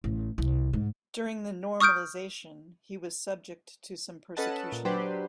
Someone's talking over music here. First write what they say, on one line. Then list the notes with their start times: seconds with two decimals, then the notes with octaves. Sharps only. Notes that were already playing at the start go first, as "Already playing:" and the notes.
During the Normalization he was subject to some persecution.
0.04 A1
0.38 C2
0.73 G#2
1.80 C#6 D#6 F6 G6 D7
4.37 C#4 A4 B4 D#5 F#5 A5
4.72 A#2
4.85 F#3 D4 G4 B4 C5 D5